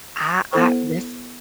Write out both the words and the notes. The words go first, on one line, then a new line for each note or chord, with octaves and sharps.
I I this
B3 E4 A4 C5